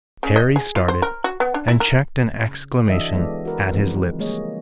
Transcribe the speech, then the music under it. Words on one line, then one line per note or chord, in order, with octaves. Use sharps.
Harry started and checked an exclamation at his lips.
C#3
D#5
G#4
F4
C5
A#4
F#4
B3
D4
E4
A#4
C#3
E3 D4 F#4 A4 D#5 E5
E3 G#3 B3 A4 D5
F#4 A#4 B4
C#3 E3 F3 G#3 C4 B4
G3 G#3 A#3 G#4 C#5 D#5